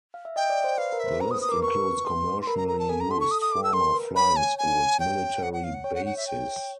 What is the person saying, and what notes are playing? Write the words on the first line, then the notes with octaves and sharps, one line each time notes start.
The list includes commercially used, former, flying schools, military bases.
F5
E5
D#5 G5
D5
C5
B4 F5
A#4
E5
C5
B4 A#5
D#6
B4
D#6
A#4 D6
B4 C#6
C6
C6
A#4 B5
A#5
A#5
A5
A4 G#5
A#5
A4 C6
C#6
D#6
D#6
D6
E6
A#4 C6
B4
C#5 B5
G#5
G#5
C#5 G5
F#5
F#5
F5
F#5
C#5 G5
F#5
F#5
E5
G5